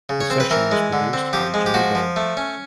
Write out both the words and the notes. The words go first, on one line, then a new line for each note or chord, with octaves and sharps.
The session was produced by Jimmy Bowen.
C#3
C#5
C4 C5
B4
E3 A#4
G#3
D3
C4
F3 G4
G#3
G4
F3 F#4
F3
A3
C#4